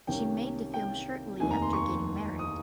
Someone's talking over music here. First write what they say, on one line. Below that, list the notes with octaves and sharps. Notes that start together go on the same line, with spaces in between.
She made the film shortly after getting married.
C2 C3 D#3 A#3 C#4 G5
G5
F1 D#2 D#3 G#5
A#5
C6
C#6
D#6